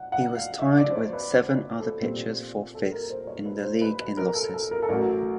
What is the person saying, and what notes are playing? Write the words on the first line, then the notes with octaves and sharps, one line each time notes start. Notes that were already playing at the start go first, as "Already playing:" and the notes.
He was tied with seven other pitchers for fifth in the league in losses.
Already playing: F#5
F#5
F5
E5
D5
C5
C#5
B4
C5
C#5
A4
A#1 A#2 G3 C4
A4
A#4
C5
C#5
B4
C5
B4
B4
A#4
A4
A4
A#4
A4
A1 A2 F#3 A3 A#4